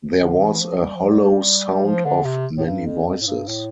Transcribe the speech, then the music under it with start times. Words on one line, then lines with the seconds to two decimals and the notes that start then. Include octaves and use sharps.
There was a hollow sound of many voices.
0.21 D3
0.42 E3
0.62 F3
0.83 G3
0.96 F3
1.09 G3
1.85 F3
2.05 D3
2.25 C3
2.58 A2
2.66 G2
2.86 F2
3.07 F2
3.21 A2
3.27 G2
3.48 A2